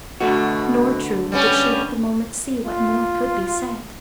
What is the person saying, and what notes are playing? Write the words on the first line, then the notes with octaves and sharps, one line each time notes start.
Nor truly did she at the moment see what more could be said.
B2 D3 A3 F#4
G3 B3 C#4
F4